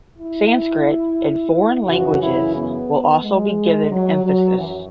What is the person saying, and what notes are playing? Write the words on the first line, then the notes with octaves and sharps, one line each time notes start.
Sanskrit and foreign languages will also be given emphasis.
E4
F#2 C#3 E3 F#4
E4
B3
G#3
F#3
F#3
F#2 E3